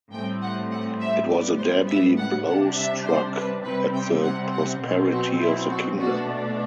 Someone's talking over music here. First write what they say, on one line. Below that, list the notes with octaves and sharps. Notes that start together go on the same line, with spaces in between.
It was a deadly blow struck at the prosperity of the kingdom.
A2 G3 C4 G5
F#5
F#5
E5
A2 G3 B3 D5
C5
E5
F#5
C3 G3 D4 F#5
E5
C5
B4
C3 G3 C4 B4
G5
F#5
F#5
B2 F#3 C4
F#4
E4
F#4
B2 A3 D4 F#4